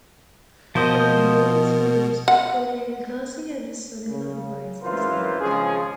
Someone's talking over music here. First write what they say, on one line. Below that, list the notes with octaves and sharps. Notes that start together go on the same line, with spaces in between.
Among the various leaders, only Ilghazi and his son-in-law Dubais escaped.
B2 F3 A#4 C5 D#5
F#5
C#3
G#1 F#2 E3 F4 A#4 C5
G#1 C#3 F3 G#3 G#4